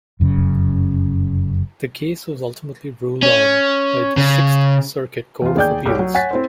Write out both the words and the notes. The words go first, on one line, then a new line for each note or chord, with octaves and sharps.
The case was ultimately ruled on by the Sixth Circuit Court of Appeals.
F1 F#2 C#3
C#4
C#3
E2 F4
D#2 G#4 D5 G5 G6
C2 G4 C#5
F#3
C#5 F#5 G#5 A6 B6
C4 E4 C5